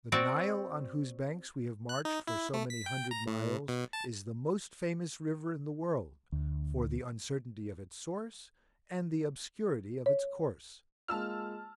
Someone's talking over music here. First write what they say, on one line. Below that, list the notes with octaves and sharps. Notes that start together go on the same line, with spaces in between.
The Nile, on whose banks we have marched for so many hundred miles, is the most famous river in the world, for the uncertainty of its source and the obscurity of its course.
C4 F#4 D5
F#6
D#4
E4
A3
B6
G5
A#5
A2
B2
A5
D2
C#5
G#3 A#3 F4 A5 E6 F6